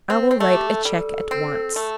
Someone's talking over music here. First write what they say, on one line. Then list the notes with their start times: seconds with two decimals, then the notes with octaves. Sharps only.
I will write a cheque at once.'
0.10 C4 C5
0.31 C4
0.40 A3 A4
0.54 G4
0.68 A4
0.85 G3
1.31 C4
1.76 A3